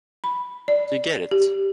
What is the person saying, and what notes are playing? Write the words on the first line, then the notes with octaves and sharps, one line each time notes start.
Do you get it?
B5
D5
G4